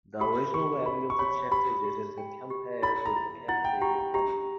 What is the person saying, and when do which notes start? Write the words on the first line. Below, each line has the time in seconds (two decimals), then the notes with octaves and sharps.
The original value of the check digit is then compared with the calculated value.
0.20 G4 B5
0.54 G4 C#6
0.86 G4 B5
1.10 C#6
1.19 C#5 B5
1.51 G4 B5
1.84 G4
2.18 G5
2.50 G4
2.82 E4 B5
3.05 A#5
3.16 E4
3.48 E4 F#5
3.64 G5
3.81 G4 A#5
3.98 G5
4.14 G4 A#5